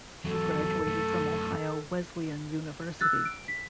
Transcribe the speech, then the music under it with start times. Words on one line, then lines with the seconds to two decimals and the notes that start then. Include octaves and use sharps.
She graduated from Ohio Wesleyan University.
0.25 E2 F#3 A4
0.87 F#2 A3
3.01 E6 F#6 A6
3.25 D7
3.48 B6